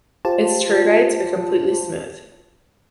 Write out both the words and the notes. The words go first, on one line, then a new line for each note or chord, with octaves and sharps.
Its tergites are completely smooth.
F4 G4 C5 A5